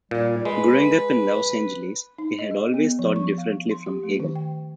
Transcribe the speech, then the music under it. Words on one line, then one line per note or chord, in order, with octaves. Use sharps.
Growing up in Los Angeles, he had always thought differently from Hagen.
A#2 G3
G#3 B4
D#4
D#5
G#4
B3
F3
C#6
F5
C6
G4
A3
D#3
G5